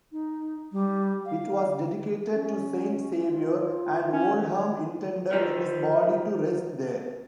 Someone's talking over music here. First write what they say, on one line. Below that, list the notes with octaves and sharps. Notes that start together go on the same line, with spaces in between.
It was dedicated to Saint Saviour, and Oldham intended his body to rest there.
D#4
G3
F5
C#4
F4
C#4
F3 D#4